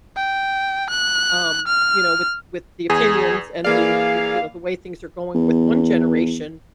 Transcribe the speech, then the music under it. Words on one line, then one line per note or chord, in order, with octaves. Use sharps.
um, you know, with with the opinions and the the, you know, the way things are going with one generation,
G5
F#6
F6
E2 G#4
E3 A#3 G#4 D5 F5
E2